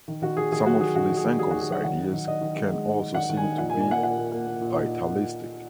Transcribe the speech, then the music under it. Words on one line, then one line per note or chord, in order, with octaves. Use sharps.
Some of Lysenko's ideas can also seem to be vitalistic.
D#3
D#3 F#4
D#3 G#4
D#3 G#4
F#3 F#4
D#3 G#4
D#3 F#4
D#3
G#4
D#3
F#3 G#4
F#4
D#3
G#4
F#3 F#5
D#3 F#5
D#4
D#3
D#3 D#5
D#3
G#3
G#3
D#4
G#3
D#3 F#5
D#3
G#5
D#4
A#2 F#5
G#5
A#3
G#5
A#3 F#5
A#2 F#5
A#3
A#3
A#3
A#2
D#4